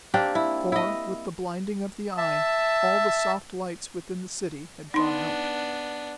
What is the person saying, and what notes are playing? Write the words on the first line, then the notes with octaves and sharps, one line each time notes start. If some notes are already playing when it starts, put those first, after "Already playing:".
For, with the blinding of the Eye, all the soft lights within the city had gone out.
A#3 C4 D4 G4
E4
E4 D#5
E5 A5
B3 D4 D#4 C6